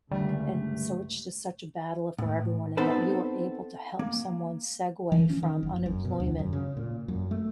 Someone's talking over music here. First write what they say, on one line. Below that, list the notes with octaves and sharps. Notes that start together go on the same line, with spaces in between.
and so, it's just such a battle for everyone, and that you are able to help someone segue from unemployment
C#2 G2 D3 G3 A3 A#3
A2
B3 C4 D#4 A4 B4 C5
A#3
E3
C#4
D#3
F#1
F#2
B2
D2
F#2
C#3
A#2
F#2
A3